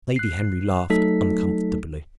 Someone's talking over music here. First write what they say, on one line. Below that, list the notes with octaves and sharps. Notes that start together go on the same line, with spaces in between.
Lady Henry laughed uncomfortably.
F#6 C7
F#3 A3 D#4 A4 B6